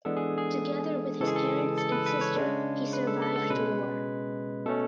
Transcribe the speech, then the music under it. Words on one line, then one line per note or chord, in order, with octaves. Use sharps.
Together with his parents and sister he survived the war.
E3 G#3 B3 D4 A4
G#4
G#4
C#3 E3 G#3 A4
G#4
A4
A4
B4
B4
C#5
C#3 G#3 D4
B4
A4
A4
A4
B2 G#3 C#4 B4
B2 A3 C#4 A4